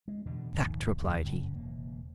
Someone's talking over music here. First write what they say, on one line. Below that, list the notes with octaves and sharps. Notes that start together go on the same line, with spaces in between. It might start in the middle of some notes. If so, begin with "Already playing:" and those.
"Fact!" replied he.
G#3
E2 B2 D3
A#1 D#2 G#2 D#3
D#2 D3 A3
F#2 C#3
E1 A#3